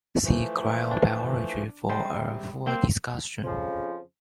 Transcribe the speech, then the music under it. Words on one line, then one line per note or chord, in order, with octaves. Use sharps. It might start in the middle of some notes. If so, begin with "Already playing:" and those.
See cryobiology for a full discussion.
E3 F3 A3
D4
C3 G3 G#3 C5
A#3 C4 C5
F2 C#3 F3